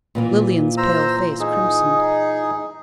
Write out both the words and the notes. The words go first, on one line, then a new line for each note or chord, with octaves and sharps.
Lilian's pale face crimsoned.
A#2 E3 A#3
C5 A#5 E6
D#4 G#4